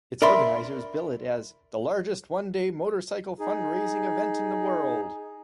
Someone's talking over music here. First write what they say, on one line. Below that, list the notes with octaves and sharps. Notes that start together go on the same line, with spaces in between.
Its organizers bill it as "The Largest One-Day Motorcycle Fund-Raising Event in the World".
A#4 D5 E5 B5 C6
D#4 G#4